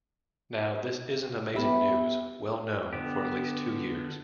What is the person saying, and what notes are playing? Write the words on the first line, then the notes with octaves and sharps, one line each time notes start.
Now, this isn't amazing news, well-known for at least two years.
B3 G4 E5 B5
D3 B3 G4